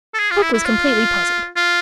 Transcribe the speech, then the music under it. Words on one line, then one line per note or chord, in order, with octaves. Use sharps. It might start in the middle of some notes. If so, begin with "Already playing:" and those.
Hook was completely puzzled.
A4
G#4
F4
E4
E4
F4
F4